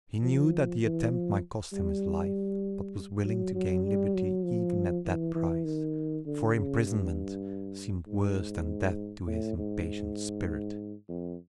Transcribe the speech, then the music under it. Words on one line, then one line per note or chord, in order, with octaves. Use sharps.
He knew that the attempt might cost him his life, but was willing to gain liberty even at that price; for imprisonment seemed worse than death to his impatient spirit.
F3
E3
F3
G3
F#3
F#3
G3
F#3
F3
E3
E3
D#3
D3
C#3
G2
G#2
A2
G#2
F2